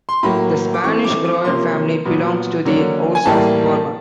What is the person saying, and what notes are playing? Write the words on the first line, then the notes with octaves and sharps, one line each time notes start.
The Spanish royal family belongs to the House of Bourbon.
C6
A2 F#3 A#3 B5
D6
E3 A3 C4 C#6
D6
D6
C3 F3 A#3 C#4 C6
A#2 F#3 B3
D3 F#3 A#3 C#4
G#5
A2 E3 G3 A#3 A5